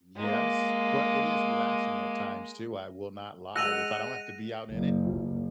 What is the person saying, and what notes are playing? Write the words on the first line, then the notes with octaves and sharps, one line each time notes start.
Yes, but it is relaxing at times, too, I will not lie. If I don't have to be out in it
G#3 A#3
G#3 F#5 E6 F#6 A#6 D#7 F7
F#1
F#1